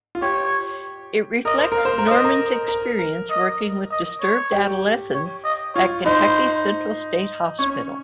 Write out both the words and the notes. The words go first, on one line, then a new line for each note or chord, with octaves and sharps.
It reflects Norman's experience working with disturbed adolescents at Kentucky's Central State Hospital.
F4
G4 C#5
A#4 D#5
C5
A#4 F5
C5
A#4
C5 D#5
A#4
A#4
A#4
D#5
D#5
C#5
G4
C#5
D#5
F4 C#5
D#4 C5
C#4 C#5